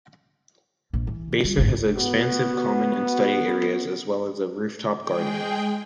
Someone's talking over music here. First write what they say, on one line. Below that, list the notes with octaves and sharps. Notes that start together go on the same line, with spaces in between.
Basser has expansive common and study areas as well as a roof top garden.
A#1
E3
G3
G1 G#2
B3 F#4
G#3 G#4 G5